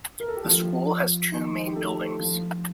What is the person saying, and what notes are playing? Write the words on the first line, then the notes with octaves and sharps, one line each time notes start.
The School has two main buildings.
A#4
A4
G4
F3 F4
D#3 D#4
G4
A3 A4
F3 F4